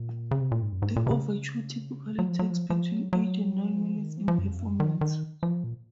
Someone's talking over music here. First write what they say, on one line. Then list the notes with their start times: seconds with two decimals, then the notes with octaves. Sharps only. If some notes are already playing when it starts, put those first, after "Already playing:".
The overture typically takes between eight and nine minutes in performance.
Already playing: A#2
0.31 C#3
0.41 C3
0.52 A#2
0.62 G#2
0.72 F#2
0.82 G#2
0.96 A#2
1.07 C3
1.11 C#3
2.19 F#3
2.28 F3
2.39 F#3
2.50 F3
2.70 F3
2.92 F#3
3.13 F#3
3.76 F3
3.97 D#3
4.17 F3
4.28 F3
4.38 F#2
4.49 F2
4.60 F#2
4.80 D#3
5.01 D#3
5.43 F3
5.64 A#2